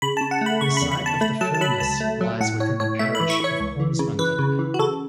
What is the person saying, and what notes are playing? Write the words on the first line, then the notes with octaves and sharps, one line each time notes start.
The site of the furnace lies within the parish of Horsmonden now.
C#3 B5
A5
C#3
F#5
A3 B5
C#3 C#6
B5
E2
B5
E2 A5
A3 B5
F#3 A5
A5
F#3 B5
C#2 A5
A3
F#3
A2 F#5
A2 C#5
A2 C#5
A3 E5
B5
E3
C#6
E3 C#5
C#2
E3
C#3
E3 B4
C#3
E3
F#4
C#3 A4